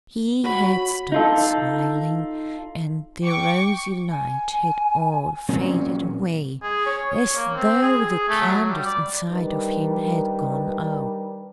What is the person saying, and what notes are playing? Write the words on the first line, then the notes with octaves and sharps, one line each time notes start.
He had stopped smiling, and the rosy light had all faded away, as though the candles inside of him had gone out.
F#4 C#5 B5
D#4 F4 A4
G5 C#6 D6
G#5
A#2 F#3 C4 C#4
G#4
C#5
C#5
A#3
C4
G#4
G#4
A3
F#3
G3
D5
D#3 G3 D4 D#4 A#4 B4